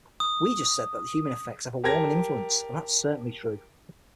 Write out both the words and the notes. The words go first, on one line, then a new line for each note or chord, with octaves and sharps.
We just said that human effects have a warming influence, and that's certainly true.
D#6
G4 A#4 A5 G#6 A#6